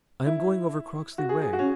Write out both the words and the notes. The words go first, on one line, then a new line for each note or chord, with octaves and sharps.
"I am going over Croxley way."
E4
F#4
G#4
G#4
F#4
C#4